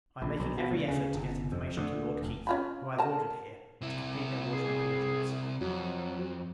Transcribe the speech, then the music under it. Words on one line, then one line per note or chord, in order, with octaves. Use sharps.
I am making every effort to get information to Lord Keith; who I have ordered here, to complete their water and provisions.
A#1
B1
B2
D2
C#3
G1
F2
D2
F1
C#4 F4 B5
A#4 A5
C3 E4
G#4
F2 F#3